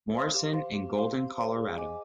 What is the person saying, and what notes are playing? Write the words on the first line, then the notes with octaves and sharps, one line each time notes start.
Morrison in Golden, Colorado.
C5 F5 C6
G4
C5 F5 C6
G4
C5 F5 C6
G4
C5 F5 C6
G#4
D#5 G#5 D6